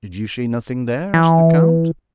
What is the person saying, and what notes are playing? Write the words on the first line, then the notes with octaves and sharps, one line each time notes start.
"Did you see nothing there?" asked the count.
E3